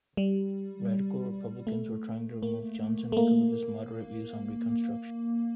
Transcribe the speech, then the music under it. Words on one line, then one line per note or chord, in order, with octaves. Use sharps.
Radical Republicans were trying to remove Johnson because of his moderate views on Reconstruction.
G3
A3
A#3
A3
A#3